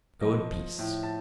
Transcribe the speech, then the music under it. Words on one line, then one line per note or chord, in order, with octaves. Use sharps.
Go in peace!
F3 D#5
F3
A2
A5